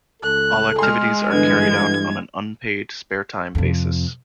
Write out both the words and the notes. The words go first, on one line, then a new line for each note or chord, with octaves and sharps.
All activities are carried out on an unpaid, spare time basis.
C#2 A4 F#6
G#3 G#4 C6 F6
G2 D3 E3 B3 G#6
F2 C3